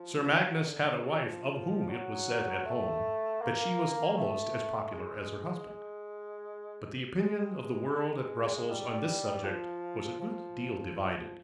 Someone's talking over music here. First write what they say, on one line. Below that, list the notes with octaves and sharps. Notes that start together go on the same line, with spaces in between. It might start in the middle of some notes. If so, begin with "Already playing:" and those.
Sir Magnus had a wife of whom it was said at home that she was almost as popular as her husband; but the opinion of the world at Brussels on this subject was a good deal divided.
Already playing: F3
F#3
D3
C#3
F3
F#3
A3
A#3
A3
G#3
G#3
G#3
G3
F3
F3
F3